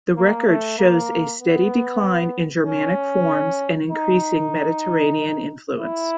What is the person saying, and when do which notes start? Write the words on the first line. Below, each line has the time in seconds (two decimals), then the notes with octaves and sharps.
The record shows a steady decline in Germanic forms and increasing Mediterranean influence.
0.17 A#3
0.48 A3
0.79 A#3
1.41 B3
2.66 C#4
3.91 D#4
5.79 E4